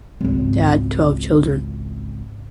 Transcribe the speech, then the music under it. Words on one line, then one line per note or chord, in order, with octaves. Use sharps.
They had twelve children.
G#1 C#2